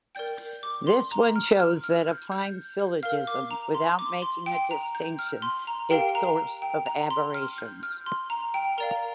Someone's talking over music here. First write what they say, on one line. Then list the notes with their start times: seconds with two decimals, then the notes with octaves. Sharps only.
This one shows that applying syllogism without making a distinction is source of aberrations.
0.15 A#4 D5 G5 G6
0.63 D6
0.87 C6
1.12 A#5
1.36 F6
1.60 F6
1.84 F6
2.08 G6
2.32 G6
2.80 G6
3.03 A#4 F5 F6
3.27 D6
3.51 A#5
3.75 C6
3.99 D6
4.22 C6
4.46 G5
4.71 A#5
4.95 G6
5.19 F6
5.42 C6
5.67 A#5
5.90 G4 A#4 F5 G5
6.15 A#5
6.62 G5
6.86 A#5
7.10 C6
7.34 F6
7.58 G6
7.83 F6
8.06 C6
8.30 A#5
8.54 G5
8.78 A#4 D5 F5 A#5